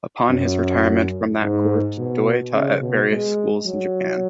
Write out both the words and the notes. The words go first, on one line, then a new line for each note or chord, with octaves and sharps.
Upon his retirement from that court, Doi taught at various schools in Japan.
F#2
G#2
B2
C#3
B2
G#3
F#3